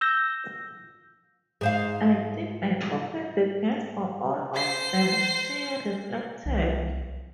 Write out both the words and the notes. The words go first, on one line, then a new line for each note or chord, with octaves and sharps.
"I think I opened the gate for all of them," she reflected.
E6 G6 A#6
G#2 G#4 C5 F5
C5 C7
C2 E3 B3